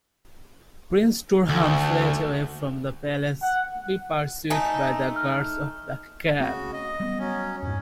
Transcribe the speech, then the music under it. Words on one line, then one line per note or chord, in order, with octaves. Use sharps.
Prince Turhan fled away from the palace, be pursued by the guards of Bakaar.
D2
F#5
A3 D#4 G#5
F6
C#3 A3 C4 C#4 F#4
D#5
G3 B3
F#3 C#4
F2 G#2 C#4